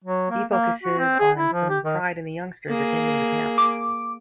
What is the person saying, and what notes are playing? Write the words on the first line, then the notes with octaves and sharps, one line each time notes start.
He focuses on instilling pride in the youngsters attending the camp.
F#3
A#3
A#3
F#4
C4
G#4
E4
F3
G4
D#3
A#3 G#4
D6